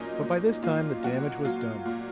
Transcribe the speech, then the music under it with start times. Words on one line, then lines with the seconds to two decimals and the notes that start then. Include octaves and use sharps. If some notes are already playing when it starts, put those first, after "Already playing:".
But by this time the damage was done.
Already playing: A#2 F#3 A#3 C#4 D#4
0.22 A#2
0.63 A#2 F4
1.04 F#3 F#4
1.45 F#3 F4
1.86 A#2